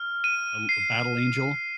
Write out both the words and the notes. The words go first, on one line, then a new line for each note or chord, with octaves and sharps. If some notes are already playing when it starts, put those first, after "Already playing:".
Uh, l a battle angel,
Already playing: F6
D#7
C7